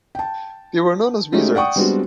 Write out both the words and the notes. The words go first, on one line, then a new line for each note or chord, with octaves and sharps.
They were known as "wizards".
G5 A5
G#3 A3 C#4 D#4 F#4 G4
D5 F#5 G5 C#6 D#6
G3 G#3 B3 C4 D4 F#4